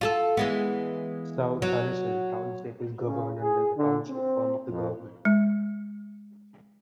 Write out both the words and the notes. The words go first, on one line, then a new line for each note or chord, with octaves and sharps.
South Harrison Township is governed under the Township form of government.
F4 G#4 A4
E3 G#3 B3
F#3
C#3
G#4
D3
C4
F2
G#3